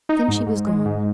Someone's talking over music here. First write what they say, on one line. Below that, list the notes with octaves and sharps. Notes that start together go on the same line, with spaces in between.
Then she was gone.
D#4
G#2
G#2
G#3
G#2